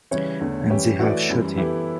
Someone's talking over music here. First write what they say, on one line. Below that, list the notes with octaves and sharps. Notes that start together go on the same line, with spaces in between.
And they have shot him.
C#3 E3 G3 C#5
E2 D3 A3
E3 G3 C#4 G4 C#5
E3 A3 E4 F#4 B4 D5
F#2 E3 G3
E3 B3 E4 G4 A4